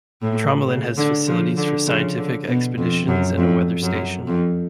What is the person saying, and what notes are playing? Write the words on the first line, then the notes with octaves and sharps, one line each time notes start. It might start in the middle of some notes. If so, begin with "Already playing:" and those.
Tromelin has facilities for scientific expeditions and a weather station.
A2
C#3
D3
C#3 F3
D3
C#3 F3
D3
B2
F2
F#2
F2
F#2
F2